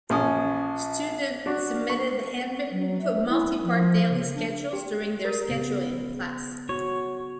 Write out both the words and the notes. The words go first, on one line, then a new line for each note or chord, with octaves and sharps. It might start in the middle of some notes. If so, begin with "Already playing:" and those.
Student submitted hand-written multi-part daily schedules during their scheduling class.
A#1 C#4 D#6
D4 F#4
C#6
F#3
E5
E4
F3
C#3
D4
G4
A#4
C#3 B3
F#4 C#5